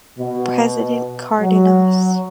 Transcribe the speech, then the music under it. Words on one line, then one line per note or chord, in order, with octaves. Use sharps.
President Cárdenas.
B2
F#3